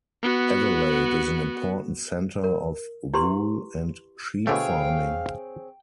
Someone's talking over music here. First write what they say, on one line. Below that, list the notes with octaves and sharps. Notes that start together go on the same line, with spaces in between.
Adelaide is an important centre of wool and sheep farming.
B3 F#4
A#4
E4 G4 B4 C6 C#6
B2 D3 A3 C4 G#4 C#5 F5 G5